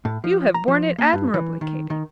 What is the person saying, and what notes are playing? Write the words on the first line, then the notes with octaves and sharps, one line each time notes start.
You have borne it admirably, Katy.
A2
F3
A#5
F3
A#3
G2
E3
D#3
D#3